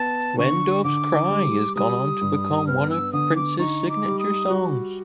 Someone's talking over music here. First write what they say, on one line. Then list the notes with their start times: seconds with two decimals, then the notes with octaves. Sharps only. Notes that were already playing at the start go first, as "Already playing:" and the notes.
"When Doves Cry" has gone on to become one of Prince's signature songs.
Already playing: B3 A5
0.38 D3 C#6
0.84 D3 D6
1.30 G3
1.76 G3 D#6
2.21 G2
2.67 B3 F6
2.90 E6
3.13 D3 D#6
3.36 D6
3.59 D#4 C#6
3.89 D6
4.05 G3
4.19 D#6
4.50 F#4